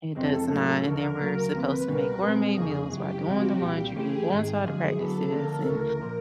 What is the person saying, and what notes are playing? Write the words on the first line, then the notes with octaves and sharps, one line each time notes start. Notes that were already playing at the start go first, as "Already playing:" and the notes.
It does not, and then we're supposed to make gourmet meals, while doing the laundry, and going to all the practices, and,
F2 C3 E3 G#3 C4 A4
A2 F#3 A#3 D#4
D#2 C#3 F3 A#4
D2 C#3 F#3 A#3
D2 C3 F3 A#3 B4
C2 B2 G3 A#3 C#4 A#4
A#2 G3 C4 G#4
F2 C#3 F3 A#3 D#4
F#2 C#3 E3 G4
C#2 C3 F3 G#3 F#4
C2 A#2 G3 G4
E3 A3 C#4 E4 G#4
G#2 D#3 G#3 G#4
F#2 D3 F3 G#3
D3 F#3 B3 E4 A4
D3 F3 A#3 D4 A#4
D2 C#3 E3 A3 A#4
A#2 F3 A#3